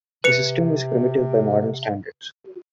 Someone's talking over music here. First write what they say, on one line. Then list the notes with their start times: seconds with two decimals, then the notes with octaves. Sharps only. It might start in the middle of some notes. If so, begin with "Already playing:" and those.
The system was primitive by modern standards.
0.24 C3 B4 C#7 F7